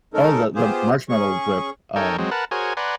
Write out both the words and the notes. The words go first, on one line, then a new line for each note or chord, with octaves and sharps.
Oh, the the marshmallow whip, um,
C#3 G#3 C#4 D#4 A4 A#4
B3 F4 G4 G#4 C5
C#4 G#4 C#6
D#4 A4 A#4 C#5 G5 G#5
F#3 G#3 C4
A#4 B4 F#5 A5
F#4 G#4 A#4 C5 C#5 G#5
B4 D5 F#5 G#5 A#5 C6